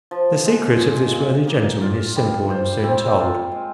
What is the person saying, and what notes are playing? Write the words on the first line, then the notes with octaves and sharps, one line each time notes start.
The secret of this worthy gentleman is simple and soon told.
F3
G#3
A#2
A#2
A#3
F4
G3
C5
C4
F4
G#3